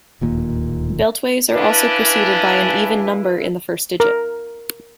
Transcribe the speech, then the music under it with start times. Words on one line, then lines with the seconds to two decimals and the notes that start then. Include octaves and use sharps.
Beltways are also preceded by an even number in the first digit.
0.21 D1 D#2 A#2
1.51 C#4 D4 E4 B4 F5
4.00 A#4